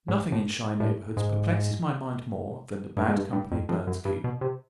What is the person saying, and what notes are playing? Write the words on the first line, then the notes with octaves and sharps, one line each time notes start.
Nothing in shy neighbourhoods perplexes my mind more, than the bad company birds keep.
G#2
A2
A2
G#2
G2
G#2
G2
G2
F2
F2
F#2
G2
B2
C3